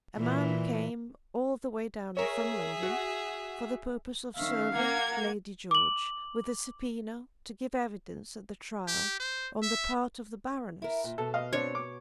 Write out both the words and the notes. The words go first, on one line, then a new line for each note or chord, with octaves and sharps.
A man came all the way down from London for the purpose of serving Lady George with a subpoena to give evidence at the trial on the part of the Baroness.
A#2 E3
G#4 A#4 C#5 E5
F#4
D#3 C#4 E5 F5
A#3 A#4 F#5 G#6
D6 F#7
G4
C5
E5
E4 A#4
A#2
B2 A4
D#5 F5
C4 D4 C#5
D6